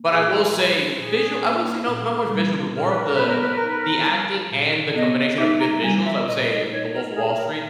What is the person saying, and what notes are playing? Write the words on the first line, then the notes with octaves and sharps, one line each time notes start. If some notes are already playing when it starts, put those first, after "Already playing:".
But I will say visual I wouldn't say no no more visual, but more of the the acting and the combination of good visuals, I would say, "The Wolf of Wall Street,"
Already playing: A#3
A#2 G#4
G3 B4
A#2 G#4
A#3
A#2
G3
A#2 A#4
B4
A#4
B3 B4
A#4
B4
A#4
D#4
B4
A#4
G3
A#2
B3 D#5
D#4 E5
A#5
G3 G#5
E5
A#2 D#5
D#5
D#4 C#5
A#4
A#2 G#4
A#4